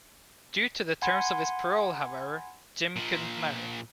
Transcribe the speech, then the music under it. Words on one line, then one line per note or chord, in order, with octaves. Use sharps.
Due to the terms of his parole, however, Jim couldn't marry.
F#5 G#5 B5 C6 G#6
A#2 F3